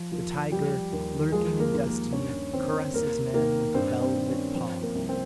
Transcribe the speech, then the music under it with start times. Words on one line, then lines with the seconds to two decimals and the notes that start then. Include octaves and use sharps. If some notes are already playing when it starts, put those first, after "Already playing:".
The tiger, lurking in destiny, caresses man with a velvet paw.
Already playing: F3
0.12 D#2 F3 F4
0.52 F3 G3 G4
0.92 D#2
1.32 F3 G#3 G#4
1.59 A#3 A#4
1.73 D#2
1.86 A#3 A#4
2.13 G2 C#4 C#5
2.53 D#3 C4 C5
2.94 D#2 A#3 A#4
3.34 D#3 A#3 A#4
3.74 G2 C4 C5
4.01 C4 C5
4.15 D#3
4.28 C#4 C#5
4.55 F3 C4 C5
4.82 A#3 A#4
4.95 C2
5.08 C4 C5